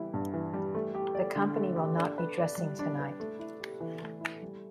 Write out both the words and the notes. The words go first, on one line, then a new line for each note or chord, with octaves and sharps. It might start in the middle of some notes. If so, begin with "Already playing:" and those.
The company will not be dressing tonight.
Already playing: E3 G3 E4
G2
E3
G3
A3
G4
D5
D3
A3
G4
D4
B4
D5
G3
D4
B4
A3
E4
G4
E3
A3
E4
G3